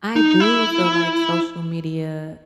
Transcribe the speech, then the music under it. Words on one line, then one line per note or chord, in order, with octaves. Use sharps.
I do feel like social media
D#4
E4